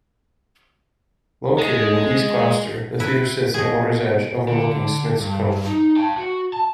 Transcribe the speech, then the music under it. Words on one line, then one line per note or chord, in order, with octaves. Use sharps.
Located in East Gloucester, the theatre sits at water's edge overlooking Smith's Cove.
G#3
E4 B4
B2 G#4
D3
G2
D#4
G5 A5
F#4
A5